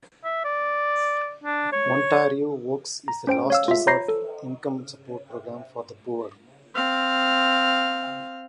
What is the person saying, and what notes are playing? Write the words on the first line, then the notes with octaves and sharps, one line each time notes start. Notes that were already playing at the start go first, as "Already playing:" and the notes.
Ontario Works is a last-resort income support program for the poor.
E5
D5
D4
C#5
A#5
C#4 C5 G5 D7
C#5 F5 E6
F4 E5
C#5 A#5 B5 G6 A#6 C7
A4
C4 F5